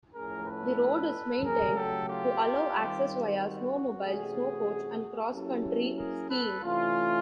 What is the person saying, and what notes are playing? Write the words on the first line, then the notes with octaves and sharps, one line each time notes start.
The road is maintained to allow access via snowmobile, snow coach, and cross-country skiing.
A2 F3 A3 C#4 G#4 A#4
A4 B4
C#3 F#3 A3 G#4 A#4
G4 A4
F4 G4
D#3 G3 C4
F#4
C3 E3 A3 C#4 F#4 G#4
F#3 A#3 C#4 E4 G4 A4
G#4 A#4
A4 B4
C3 E3 A3 C#4 F4